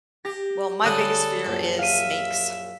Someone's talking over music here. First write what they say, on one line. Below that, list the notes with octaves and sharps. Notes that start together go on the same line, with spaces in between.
well, my biggest fear is snakes.
G4 A#6
D3 G3 C#4 A4 D#6 F#6
A#1 F#2
E5 F5 D#7